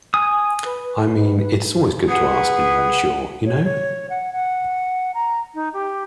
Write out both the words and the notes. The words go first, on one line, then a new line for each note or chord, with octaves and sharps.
I mean, it is always good to ask when you are unsure, you know?
G#5 D#6
B4
G#4 B4 F#5
C#5
C#5
F#5
F#5
A#5
D#4
G4